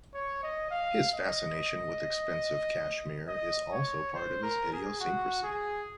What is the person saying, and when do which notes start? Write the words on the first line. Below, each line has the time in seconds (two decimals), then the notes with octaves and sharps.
His fascination with expensive cashmere is also part of his idiosyncrasy.
0.14 C#5
0.43 D#5
0.71 F5
1.14 D#5
3.28 D#5
3.72 C#5
4.14 C5
4.43 A#4
4.73 G#4
5.00 F#4
5.43 G#4